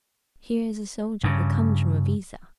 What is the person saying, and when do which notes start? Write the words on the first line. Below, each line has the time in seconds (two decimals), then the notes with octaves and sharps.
Here is a soldier who comes from Iviza.
1.24 G2 C#3